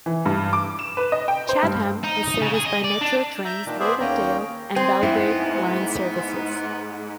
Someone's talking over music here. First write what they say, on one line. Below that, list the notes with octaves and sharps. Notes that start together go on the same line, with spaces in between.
Chatham is serviced by Metro Trains' Lilydale and Belgrave line services.
E3
G2
D6
E7
B4
D#5
G5
C5
G2
D#4
D#4
C#3
G#4
D#5
D5
D4
E5 A#5 G6
A#2 D#3 D4
B3 G#4 C5 D5 E5
D#2 A#3 C#4 G5 A#5
C4 G#4
G#2 B3 E4